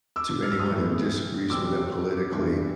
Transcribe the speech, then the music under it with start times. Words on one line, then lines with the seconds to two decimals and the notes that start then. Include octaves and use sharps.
to anyone who disagrees with them politically,
0.16 D6 E6
0.43 F6
0.51 E6
0.59 D#6 F6
0.70 A2 E3 G#3 B3
1.50 E2 B2 G3 C4 D6 E6
2.32 G2 E3 G3 B3